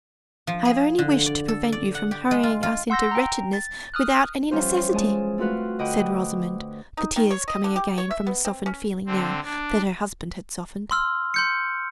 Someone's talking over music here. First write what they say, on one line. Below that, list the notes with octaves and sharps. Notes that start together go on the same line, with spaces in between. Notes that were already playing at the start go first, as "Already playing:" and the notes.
"I have only wished to prevent you from hurrying us into wretchedness without any necessity," said Rosamond, the tears coming again from a softened feeling now that her husband had softened.
F3
G#4
D3
D5
A4
D5
F#5
G4
G#3
F4
F4
F#5 C6 E6 G6 A#6
G5 A#5
A6
D#6 F6 F#6
E3 F3 G3 C#4 F4 C5
G#3 G#4 A5
A3 C4 F4 F#4 B4 F5
D3 D#5 F#5 G5 B5 D6
D#4
D#3
C#5
D#5
D3
G4
C#5
E5
B3
C4
C#4
D3 C4
D4
C6 E6 F6
C6 G6 C#7